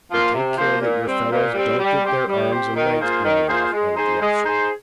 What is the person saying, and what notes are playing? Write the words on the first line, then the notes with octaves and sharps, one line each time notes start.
"And take care that your fellows don't get their arms and legs blown off," added the officer.
F3 A#3 F4 C5
C3
F3 A#3 F4 C5
A#2
G3 C4
A#2
G3 C4
G3
C4 G4 C5
G3
C4 G4 C5
D#3
A#3 F4 G#4 C5
D#3
A#3 F4 G#4 C5
G#3
D#4 G#4 C5
G#3
D#4 G#4 C5